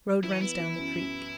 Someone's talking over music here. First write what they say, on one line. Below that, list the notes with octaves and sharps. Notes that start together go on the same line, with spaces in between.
Road runs down the creek.
E3 E4
C#4
B3 E4
E3
F#2
F#2